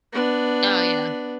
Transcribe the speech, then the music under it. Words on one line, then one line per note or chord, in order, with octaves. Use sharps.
Oh, yeah.
B3 D4